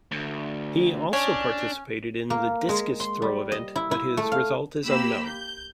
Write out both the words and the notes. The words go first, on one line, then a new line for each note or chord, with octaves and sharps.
He also participated in the discus throw event but his result is unknown.
D2
C#4 D4
A#3
G#3
C6
G3
D#5
E4
E4
A3
F5
A#3 G4 B5 E6
G6